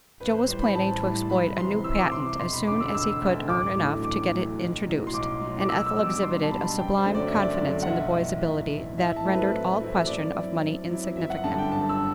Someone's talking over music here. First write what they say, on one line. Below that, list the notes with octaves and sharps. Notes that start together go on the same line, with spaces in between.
Joe was planning to exploit a new patent as soon as he could earn enough to get it introduced, and Ethel exhibited a sublime confidence in the boy's ability that rendered all question of money insignificant.
A1 B4
C5
A2 G3 C5
B5
A1 A5
A2 G3
C2 B5
C3 E3 C6
C2 E6
D6
C3 E3 C6
D6
E1 C6
B5
D2 D3 D6
E6
E1 E6
D2 D3
A1 D6
A2 F#3 A3 D4
A1 D6
A2 F#3 A3 D4
B1
A2 F#3
C6
B1 D6
A2 F#3
D6
B1 E6
E6
B2 G3 D4 E6
D6
B1 C6
A5
B2 G3 D4 B5
A5
F#1 G5
C5
F#2 D3 F#3 A3
D5
E5
F#1
D5
F#2 D3 F#3 A3
F#5
B1 E5
A2 E3
B1
A2 E3
A2 E5
A5
F#3 A3 C4 E4
B4
A2
F#3 A3 C4 E4
F#2 D5
F#3 C4 E4
F#2
F#3 C4 E4
G1 E5
F#5
F#2 D3 G3 D4 A5
G5
G1 A5
E6